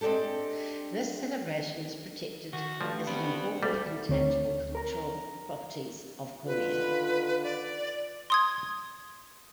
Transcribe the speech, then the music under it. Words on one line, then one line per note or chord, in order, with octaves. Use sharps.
This celebration is protected as an Important Intangible Cultural Properties of Korea.
G#3 C4 D4 G4 A4
D#3 F#4
G2 F3 A3
B3 C4 F#4
D2 G3 A3
D2 C4 C#5
A#4 A#5
D3 D#3 F4 B4
D5
C6 D#6 G#6